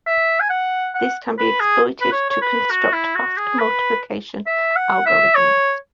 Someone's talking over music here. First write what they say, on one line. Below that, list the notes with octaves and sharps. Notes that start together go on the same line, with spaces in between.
This can be exploited to construct fast multiplication algorithms.
E5
G#5
F#5
F#5
B4
G#4
B4
C#5
C#5
B4
F#4
E4
F#4
G#4
B4
E5
F#5
E5
C#5